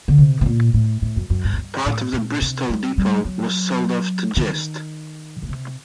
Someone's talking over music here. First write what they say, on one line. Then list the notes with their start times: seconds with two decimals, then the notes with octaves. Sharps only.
Part of the Bristol depot was sold off to Gist.
0.08 D3
0.18 C3
0.41 C3
0.46 A#2
0.74 A2
1.02 A2
1.16 F#2
1.30 F#2
1.44 G2
1.53 F#2
1.57 G2
1.86 A2
2.13 A#2
2.42 C3
2.70 G3
2.98 G3
3.25 F#3
4.37 D#3
5.42 A#2
5.49 C3